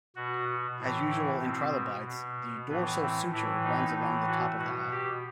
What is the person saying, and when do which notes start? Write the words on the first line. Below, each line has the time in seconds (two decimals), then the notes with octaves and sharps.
As usual in trilobites, the dorsal suture runs along the top of the eye.
0.16 B2 F#4
0.79 A2 E3
1.10 E4
1.42 B2 C4
2.06 B2
2.69 A2 E3 B3
3.01 C4
3.32 A2 E3 E4
3.64 D#4
3.95 A2 E3
4.27 F#4
4.59 B2 F#4
4.90 G4